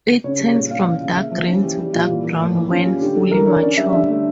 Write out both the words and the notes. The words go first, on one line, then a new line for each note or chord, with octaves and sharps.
It turns from dark green to dark brown when fully mature.
C#3 C#5
G3
A#2 C#5
C#4 F5
E3 F5
C#3
A#3 E5
F3
C#4 C#5
E3 G4
G3 G4
A#2 F4
E3
A#3
A2
E3
C#4 F4
G3
D3 G4
D3 A4
E3 A#4
D4 C#5
C#4 D5
G3 E5
D3 E5
A3